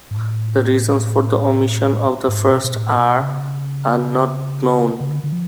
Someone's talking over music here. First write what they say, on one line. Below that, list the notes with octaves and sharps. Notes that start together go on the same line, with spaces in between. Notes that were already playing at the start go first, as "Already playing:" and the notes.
The reasons for the omission of the first "r" are not known.
G#2
A2
G#2
B2
B2
A2
B2
C#3
C#3
D3
D3
F3